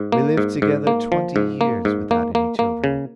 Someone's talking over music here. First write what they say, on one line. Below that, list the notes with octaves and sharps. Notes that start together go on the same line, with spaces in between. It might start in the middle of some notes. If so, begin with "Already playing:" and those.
We lived together twenty years, without any children.
Already playing: G#2
A#3
G#2
G#2
A#3
F3
G#2
A#3
G#2
A#3
A#3
A#3
C#3